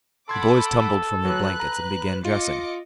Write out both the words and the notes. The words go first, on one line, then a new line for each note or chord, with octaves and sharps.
The boys tumbled from their blankets and began dressing.
A4 F#5 B5 C6 D6 G#6
F#3 B4 F#6
A#5
F4 D#5 D6 C#7